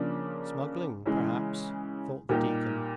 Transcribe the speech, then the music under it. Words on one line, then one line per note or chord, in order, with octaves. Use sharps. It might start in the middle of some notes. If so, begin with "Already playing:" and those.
"Smuggling, perhaps," thought the deacon.
Already playing: C#3 F3 A#3 D4
C#3 E3 G#3
A#2 G3 A#3 D#4 G4